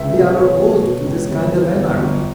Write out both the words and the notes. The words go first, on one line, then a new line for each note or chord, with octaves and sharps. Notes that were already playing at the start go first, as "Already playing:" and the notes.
"We are opposed to this kind of anarchy...."
Already playing: C#2 E5
B2
B2 C#5
B2
B2
C#2
G1
E3
G1
G1